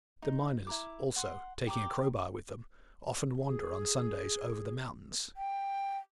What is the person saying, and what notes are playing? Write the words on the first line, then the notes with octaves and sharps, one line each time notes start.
The miners, also, taking a crowbar with them, often wander on Sundays over the mountains.
D#4
E4 A#5 D6
F#5 C6
G4 A#5 D6
G#4
G5